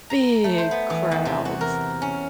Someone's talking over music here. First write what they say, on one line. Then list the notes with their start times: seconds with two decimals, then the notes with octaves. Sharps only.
big crowds.
0.10 A#5
0.44 A3
0.58 C5
0.71 B3
0.90 E3
1.12 E2
1.25 C3
1.45 F#4
1.61 A#4
2.02 C#4